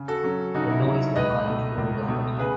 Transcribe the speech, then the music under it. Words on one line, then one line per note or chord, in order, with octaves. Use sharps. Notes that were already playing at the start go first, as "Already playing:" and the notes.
The noise behind grew louder.
Already playing: C#3
F#4 A4
F#3 C#4
C#3 D#4 F#4
E4
F#3 C#4 E4
C#2 B4 D#5
B2 A3
C#2
B2 A3
C#3 G#4 B4